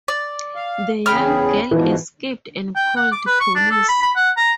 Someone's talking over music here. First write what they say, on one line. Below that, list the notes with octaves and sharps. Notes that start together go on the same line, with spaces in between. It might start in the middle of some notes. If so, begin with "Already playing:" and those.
The young girl escaped and called police.
D5
F5
E2 C#3 G#4 G5 B5 F6
G#2 B2 E3 F3
G5
F#5
D6
B4
C#6
D4
A4
B5
B5
F#5
A#5